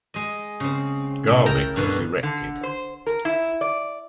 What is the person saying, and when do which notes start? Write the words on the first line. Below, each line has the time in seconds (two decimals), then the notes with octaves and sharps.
Garwick was erected.
0.14 G#3 D#5
0.60 C#3 C4
1.27 A2 E4
1.46 A#4 G5 A5 A#5
1.76 G2 B2 D3
2.23 D3
2.63 C5
3.07 A#4
3.25 E4
3.61 D5